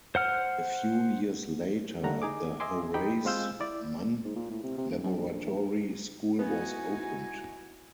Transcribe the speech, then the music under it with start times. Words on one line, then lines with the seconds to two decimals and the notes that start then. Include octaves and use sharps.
A few years later the Horace Mann Laboratory School was opened.
0.15 C5 F#5 F6
2.03 D3 G3 A3 F#5 A#5
2.22 D#4 G#4 D6
2.60 D#5 E5 G#5 C6 D6
2.94 D#4 G4 G5 B5
3.25 G#3 C4 F4 F5 E6 G6
3.60 E4 D5 E5
4.24 G#2
4.36 A#2
4.50 A2
4.63 C3
4.78 C3
4.90 D#1
5.03 F#2
5.17 A#1
5.30 A#1
5.45 A#1
6.39 B3 D#4 E4 F#4 G#5